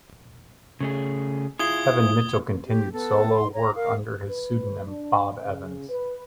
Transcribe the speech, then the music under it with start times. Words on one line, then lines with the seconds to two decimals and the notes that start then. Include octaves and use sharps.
Kevin Mitchell continued solo work under his pseudonym, Bob Evans.
0.80 C#3 A3 G#4
1.59 E4 F4 G#4 D#6 G#6 G7
2.66 G4
2.92 B3 A4
3.34 C6
3.54 C#5 A#5
3.75 A#4 F5
4.27 B4
4.87 D4
5.42 C#3
5.89 B4